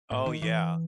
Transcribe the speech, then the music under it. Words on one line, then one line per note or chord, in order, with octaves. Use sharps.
Oh, yeah.
A2
D#3
E3